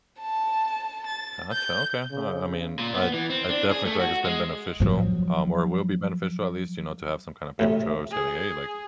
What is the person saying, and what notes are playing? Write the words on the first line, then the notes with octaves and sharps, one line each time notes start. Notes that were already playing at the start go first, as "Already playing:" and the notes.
Gotcha. Okay, well, I mean, I I definitely feel like it's been beneficial, um, or it will be beneficial at least, you know, to have some kinda paper trail or say, like, "Hey, like,
A5
A6
G6
C#3
A#2
B3
E3
C4
D4
G#4
A3
F#4
G#3
F3 F#3
D2 A2 C3
G#4